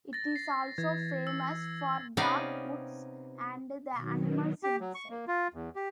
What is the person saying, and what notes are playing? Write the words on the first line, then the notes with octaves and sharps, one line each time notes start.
It is also famous for dark woods and the animals inside.
A6 A#6
C7
E3 G#6
E6
C3 B3 C#4 D#4 D5 F5
B2 D#3 F#3
G4
F#3
C#6
A#3
F4
E2
G4